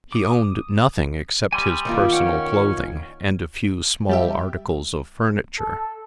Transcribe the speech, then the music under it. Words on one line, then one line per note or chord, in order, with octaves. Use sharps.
He owned nothing except his personal clothing, and a few small articles of furniture.
D6 D#6
G3 G#5 C6 D#6
D#3 A#3 F4
C#4 F#5 G5
G3 G4 E5
A4